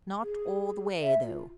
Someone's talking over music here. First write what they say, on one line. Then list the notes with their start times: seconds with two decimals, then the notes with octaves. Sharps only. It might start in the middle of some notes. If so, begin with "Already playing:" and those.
Not all the way, though.
0.23 G#4
1.02 E5
1.25 F4